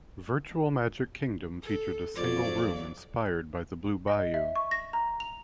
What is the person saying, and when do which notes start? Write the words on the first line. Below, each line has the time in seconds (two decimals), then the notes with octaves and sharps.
Virtual Magic Kingdom featured a single room inspired by the Blue Bayou.
1.62 A4
2.15 F2 F#3 D5
4.08 D#5
4.34 E5
4.56 C#6
4.71 A#6
4.93 A#5
5.20 F7